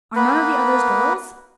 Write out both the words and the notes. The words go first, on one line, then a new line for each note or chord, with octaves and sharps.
"Are none of the others girls?"
A#3 B3 B4